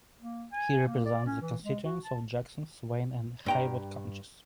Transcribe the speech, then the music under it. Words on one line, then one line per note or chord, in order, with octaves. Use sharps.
He represents the constituents of Jackson, Swain and Haywood counties.
A#3
G#5
A#3
D5
C#4
E3
G#3
F#4
A5
G2 G5 A#5